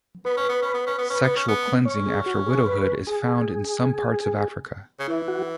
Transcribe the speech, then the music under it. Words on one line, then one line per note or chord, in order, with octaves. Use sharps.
Sexual cleansing after widowhood is found in some parts of Africa.
B3 B4
C#4
B3
C#4
B3
C#4
B3
C#4
B3
C#4
B3
C#4 C#5
G#4
F#4
G#4
B4
G#4
C#3
E3 E4
F#4